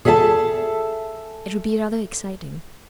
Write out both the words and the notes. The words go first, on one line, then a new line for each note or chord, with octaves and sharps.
"It would be rather exciting."
G#4 A4 E5 F5 A5